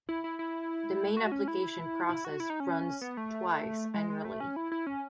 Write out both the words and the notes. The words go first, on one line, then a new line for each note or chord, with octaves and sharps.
The main application process runs twice annually.
E4
E4
E4
F#4
C#4
E4
E4
F#4
E4
D#4
C#4
B3
A3
G#3
G#3
A3
C#4
E4
E4
C#4